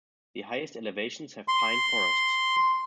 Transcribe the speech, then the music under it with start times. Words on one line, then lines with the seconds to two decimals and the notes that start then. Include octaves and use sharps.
The highest elevations have pine forests.
1.48 C6